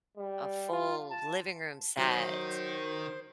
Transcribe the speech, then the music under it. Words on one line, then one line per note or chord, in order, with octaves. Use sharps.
a full living room set,
G3
F4
A5
D#3 F#3 D#4 C5